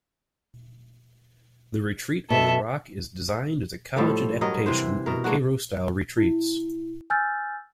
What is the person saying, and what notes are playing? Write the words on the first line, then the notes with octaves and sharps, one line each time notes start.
The Retreat on the Rock is designed as a college adaptation of Kairos-style retreats.
B2 A4 E5
A2 F3 G3 A4
G2 F#3 A#4 D#5
C3 E3 C5
B2 A#4
G#3 A#3 D4 F#4
E4
G#5 E6 F6 G6 A6